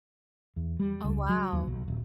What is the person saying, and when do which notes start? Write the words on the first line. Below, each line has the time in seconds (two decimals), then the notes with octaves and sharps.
Oh, wow.
0.56 E2
0.80 G3
1.04 C#2
1.29 F#3
1.52 D#2
1.67 B1
1.88 D#1